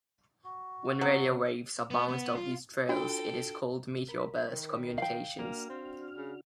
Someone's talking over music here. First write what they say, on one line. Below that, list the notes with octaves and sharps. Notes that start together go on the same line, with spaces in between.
When radio waves are bounced off these trails, it is called meteor burst communications.
F#4
C#3 F#3 C4
B3
B3
F4
D4 F4 F#4 A4 G5
A#4 B5
D#3
F5 G5
A#3 D4 F#4 F6
C4
C#3